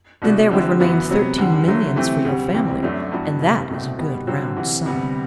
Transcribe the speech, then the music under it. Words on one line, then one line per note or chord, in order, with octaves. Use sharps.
"Then there would remain thirteen millions for your family, and that is a good round sum."
C2 B2 A3 D4 F#4
D3 G3 C4 F#4
F#2 E3 B3 F#4
C3 F#3 B3
E2 D3 G3
D3 F#3 A3
C3 E3 A3 C4
D2 C3 G3
C2 C3 E3 G3 C4
F#2 F#3 A3 D4
G2 E3 B3 F#4
C2 C3 G3
C2 B2 A3 C4 F#4
B2 G3 B3
D3 F#3 C4 F#4
D2 C3 E3
D2 C3 G3 B3